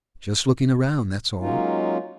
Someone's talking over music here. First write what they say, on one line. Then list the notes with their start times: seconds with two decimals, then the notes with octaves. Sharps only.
"Just looking around, that's all."
1.41 F#3 G#3 A#3 C#4 D#4 F4